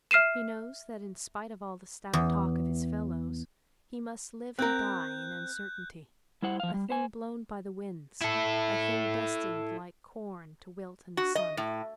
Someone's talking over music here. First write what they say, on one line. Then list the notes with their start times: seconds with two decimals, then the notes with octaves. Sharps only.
He knows that in spite of all the stout talk of his fellows he must live and die in uncertainty, a thing blown by the winds, a thing destined like corn to wilt in the sun.
0.11 E5 F6 C7 D#7 E7
2.13 E2
4.59 C4 A#4 F#6 G6
6.42 G3 E4 C5 F#5
6.60 F3 F5
6.74 G3
6.90 C5 G#5
8.21 E4 A4
11.17 F#4
11.35 D#5
11.57 A2